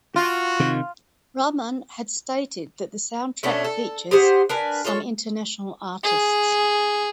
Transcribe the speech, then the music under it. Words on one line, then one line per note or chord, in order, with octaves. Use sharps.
Rahman had stated that the soundtrack features some international artists.
F4 F#4
C3 D#3
B2 A3 C#4 D4
A4
G4 G#4 C5 F#5
D4 A#4 B4 G#5
F4 A4 C5 C#5
G#4